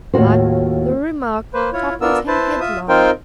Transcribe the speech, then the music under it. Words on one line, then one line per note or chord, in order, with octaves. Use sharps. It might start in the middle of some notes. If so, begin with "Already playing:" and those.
But the remark toppled him headlong.
D#2 A2 F4 F#4 C5
A#3 B4 C5
E4 F4 C#5
B3 D4 F4 A#4 E6
E4 B4 C5 A5
F4 E5 D#6
C4 D#4 F4 A#4 C5 G5